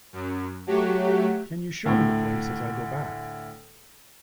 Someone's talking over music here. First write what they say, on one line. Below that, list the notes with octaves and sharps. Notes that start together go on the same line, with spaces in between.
Can you show me the place as I go back?
F#2
F#3 A3 F#4 G4
D2 A2